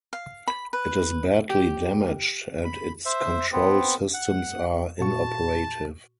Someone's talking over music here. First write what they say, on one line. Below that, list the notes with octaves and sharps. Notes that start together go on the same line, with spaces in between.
It is badly damaged and its control systems are inoperative.
F5
B5
B4
G4
B5
C5 E5
B3 C4
F#5
A#2 F#4 A5 C#6